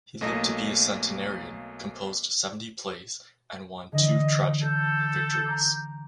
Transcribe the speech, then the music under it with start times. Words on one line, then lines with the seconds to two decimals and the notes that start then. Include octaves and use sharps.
He lived to be a centenarian, composed seventy plays, and won two tragic victories.
0.21 B1 A3 A#3 D#5 A5 A#6
3.92 D3 E3 D#5
4.62 A4 G6
5.43 A#5 D6 C7